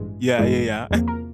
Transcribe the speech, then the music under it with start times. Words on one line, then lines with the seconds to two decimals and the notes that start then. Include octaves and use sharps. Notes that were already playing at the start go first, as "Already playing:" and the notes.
Yeah, yeah,
Already playing: A1 G2 E3 G#3
0.38 A1 G2 E3 G#3 G#4
0.91 E2 C3 F3 A#3
1.08 A#4